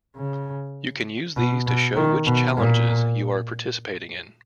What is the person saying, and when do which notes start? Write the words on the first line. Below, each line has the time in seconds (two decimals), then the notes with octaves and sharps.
You can use these to show which challenges you are participating in.
0.17 C#3
1.36 B2
1.67 B2
1.97 D#3
2.26 B2
2.57 A#2